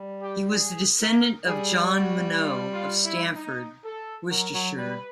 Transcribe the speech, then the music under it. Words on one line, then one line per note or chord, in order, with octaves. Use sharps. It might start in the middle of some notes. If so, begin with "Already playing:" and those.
He was a descendant of John Monoux of Stanford, Worcestershire.
Already playing: G3
G4
G#4
A#4
G3 G#4
F#4
F4
F4
E4
D#4
A4
F#3 A#4
F#3
G3 B4